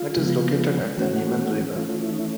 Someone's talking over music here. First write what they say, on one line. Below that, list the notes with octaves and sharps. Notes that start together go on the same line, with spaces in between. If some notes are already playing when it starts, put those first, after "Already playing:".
It is located at the Neman River.
Already playing: F4
C#3 F3 G#3 B3
E3 A3 C#4 F#4
E3 A3 C#4 F4
E4
D#4
E4